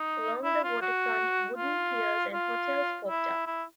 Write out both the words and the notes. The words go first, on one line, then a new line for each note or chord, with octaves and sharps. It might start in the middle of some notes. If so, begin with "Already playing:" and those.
Along the waterfront, wooden piers and hotels popped up.
Already playing: D#4
E4
F4
F#4
F4
F4
E4
E4